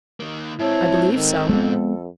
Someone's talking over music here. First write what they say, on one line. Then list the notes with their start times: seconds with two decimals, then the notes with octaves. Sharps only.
"I believe so."
0.20 D#3 A#3
0.59 G#2 C4 E4 C#5 A5
1.15 D#3 A4
1.49 F2 G#3 B3